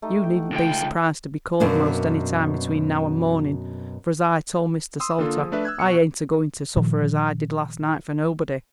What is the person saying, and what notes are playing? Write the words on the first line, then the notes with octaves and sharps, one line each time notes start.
"You needn't be surprised to be called most any time between now an' mornin'; for, as I told Mr. Salter, I ain't a-goin' to suffer as I did last night for nobody."
A3 D#4 G4
G5
F#5
C#2 G5
F#2 B2 A#3 D4
C6 D#6 E6
D3 A#3 F4 A4
F3 G#4
A3 D4 B4 E5
E6 F#6 G#6
B2 C#6 C#7
A#2 D#3 F3